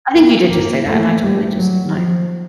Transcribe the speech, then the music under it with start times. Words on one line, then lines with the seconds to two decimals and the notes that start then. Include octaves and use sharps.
I think you did just say that, and I totally just my
0.15 A#3
0.50 A#3
0.86 A3
1.22 G3
1.58 F#3
1.94 F3